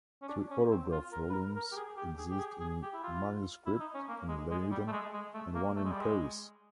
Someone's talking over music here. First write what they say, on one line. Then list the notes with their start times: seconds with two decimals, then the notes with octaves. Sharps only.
Three autograph volumes exist in manuscript in Leiden and one in Paris.
0.22 C#4
0.28 D4
0.51 C#4
0.71 C4
0.92 F4
1.12 A#4
1.30 B4
1.34 A#4
1.56 A#4
1.72 G4
1.76 G#4
1.97 G4
2.18 G#4
2.30 G4
2.39 G#4
2.60 G#4
2.82 G4
2.94 E4
3.03 F4
3.66 E4
3.80 D#4
3.94 C#4
4.08 A#3
4.28 G#3
4.51 G#3
4.71 G3
4.88 A3
4.92 G#3
5.14 G#3
5.34 A3
5.55 A#3
5.76 A3
5.85 G#3
5.92 G3
6.01 G#3